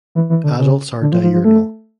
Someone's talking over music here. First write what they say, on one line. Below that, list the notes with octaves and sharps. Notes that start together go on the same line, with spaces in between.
Adults are diurnal.
E3
E3
D3
C#3
D3
F3
F3
F3
A3